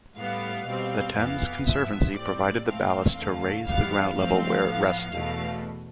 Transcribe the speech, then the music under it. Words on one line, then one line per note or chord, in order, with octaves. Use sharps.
The Thames Conservancy provided the ballast to raise the ground level where it rested.
A2 G3 B3 F5
B2 G3 C4
F2 E3 B3 F5
G2 F3 B3 E5
A2 G3 C4 D5
A2 E3 A3 C4 F5
E2 D3 A3 F5
F2 E3 G3 B3 F5
G2 F3 A3 C4 F5
A2 F3 B3
E2 B2 A3